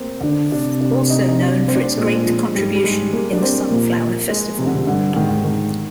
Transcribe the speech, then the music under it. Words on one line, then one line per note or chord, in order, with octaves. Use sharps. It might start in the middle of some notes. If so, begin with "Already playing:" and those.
Also known for its great contribution in the Sunflower Festival.
Already playing: A#3 C4
D3 D4
C3 D4
D4
D#4
D#4
D4
C4
D4
C4
A#2 G#3
F3
G#2 G3
G3
G#2 G#3
A#3
D4
C4
A#2 A#3
G#3
F2 C3
D3
C3
G2 D3
G#2 D#3
D#3